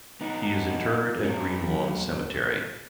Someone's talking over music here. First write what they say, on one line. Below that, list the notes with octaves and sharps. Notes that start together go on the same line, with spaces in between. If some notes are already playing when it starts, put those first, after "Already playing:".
He is interred at Greenlawn Cemetery.
B3 D#4
C#4
F#3 B3